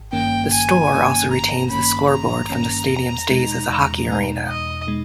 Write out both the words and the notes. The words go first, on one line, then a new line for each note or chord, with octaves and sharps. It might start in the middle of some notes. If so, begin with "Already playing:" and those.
The store also retains the scoreboard from the stadium's days as a hockey arena.
Already playing: G#1
G2 D#3 A#3 C#4 G5
G#1 G#5
G2 D#3 A#3 C#4
G#1 A#5
G2 D#3 A#3 C#4 B5
G#1 A#5
G2 D#3 A#3 C#4
E2
B2 G#3 D#4
E2
B2 G#3 D#4
E2 D#5
B2 G#3 D#4